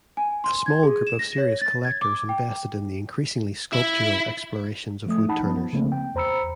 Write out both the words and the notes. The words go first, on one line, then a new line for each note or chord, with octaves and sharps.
A small group of serious collectors invested in the increasingly sculptural explorations of woodturners.
G#5
C6
G#6
G#4
E7
A#6
C#5
A6
G#6
D6
G5
E4
F3 A3 D#6
D#4 F#5 A5 B5
F3 B3
C#3 A3 A#3 C4
G5
E2 C5 A#5 B5 E6 C#7